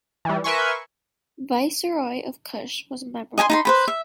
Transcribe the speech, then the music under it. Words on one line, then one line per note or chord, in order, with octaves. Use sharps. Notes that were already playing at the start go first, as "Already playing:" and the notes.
Viceroy of Kush was Merimose.
E3 G3
A#4 B4 E5 G#5 C6 C#6
D#5 G#5 A#5 C6
D#4 B5 C6
B4 C5 B5
E5